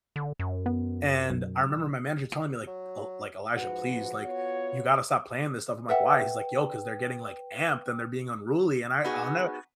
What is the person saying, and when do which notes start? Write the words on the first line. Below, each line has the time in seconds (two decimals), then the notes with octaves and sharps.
And I remember my manager telling me like, uh, like, "Elijah, please, like, you gotta stop playing this stuff." I'm like, "Why?" He's like, "Yo, 'cause they're getting like amped and they're being unruly," and I I'll know,
0.16 D3
0.39 F#2
0.66 B3
1.30 B1
2.67 F#3
3.57 G#2 F3 F#4 B4
4.26 B3 F4 C#5
5.89 A4 B4 E5 F#5 G5
9.04 B3 D#4 F#4 G#4